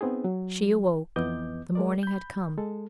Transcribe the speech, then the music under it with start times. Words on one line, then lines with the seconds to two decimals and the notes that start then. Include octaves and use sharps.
She awoke: the morning had come.
0.01 B3 C4 D#4 G#4
0.24 F#3
1.16 F2 E3 B3 D#5 D6 G6
1.75 G#3 A#4 D5
2.03 B5 G6
2.58 G#3 A4